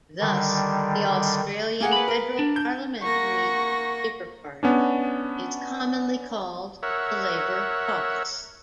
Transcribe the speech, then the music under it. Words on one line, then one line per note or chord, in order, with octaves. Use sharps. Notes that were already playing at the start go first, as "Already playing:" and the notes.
Thus, the Australian Federal Parliamentary Labor Party is commonly called "the Labor Caucus".
D3 D#3 G3
A#3 G#4 F#5
B4 B5
A#4
D4
G6
A#3 F#5 C#6 A#6
B3 C#4 D4
A#4 C#5 E5 F#5